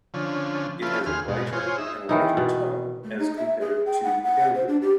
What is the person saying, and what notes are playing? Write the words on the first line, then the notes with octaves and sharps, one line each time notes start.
It has a brighter and lighter tone as compared to the "erhu".
D3 F3 C#4
F3 C#4 E4 F4 A4 B4
D#2 G#4 C6 F6
G#2 B2
F4 G#4 C5 C#5
D#4 E5
D#3 E3 D#4
B2
A3
D#4
E5
G#4
G5
F#5
F#5
C5
D4
G4